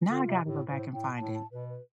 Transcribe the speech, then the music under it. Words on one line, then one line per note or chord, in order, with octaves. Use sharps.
Now I gotta go back and find it.
D3 F4
C3
A2 G4
A2 C5
A2 G5
A2 A5
A5
B2 B4
B4